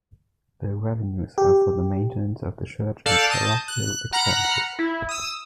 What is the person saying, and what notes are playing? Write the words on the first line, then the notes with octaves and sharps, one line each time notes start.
The revenues are for the maintenance of the church and parochial expenses.
G4
A4 D5 F5 E6 F#6 G6
A5 D#6 G6 A#6
F#6
F#5 A#5 B5 F6 F#6
E4
D#6 E6